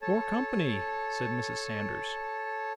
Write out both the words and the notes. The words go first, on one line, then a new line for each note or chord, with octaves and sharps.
'More company!' said Mrs. Sanders.
A4 C#5 A5